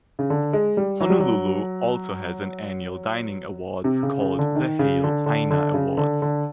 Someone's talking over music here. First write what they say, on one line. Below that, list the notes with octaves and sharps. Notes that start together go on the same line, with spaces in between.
"Honolulu" also has an annual dining awards called the Hale Aina Awards.
C#3
D3
G#3
G3
F#3
G3
F#3
C3
C#3
C#3
D3
D#3
C#3
D3
D3
D3
C#3
D3
D3